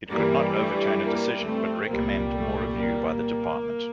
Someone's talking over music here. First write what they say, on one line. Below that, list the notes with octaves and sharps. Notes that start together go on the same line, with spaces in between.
It could not overturn a decision, but recommend more review by the department.
G2 E3 G3 A#3
A3
A#3
A3 C4
C2 A#2 G3 A#3
A3
A#3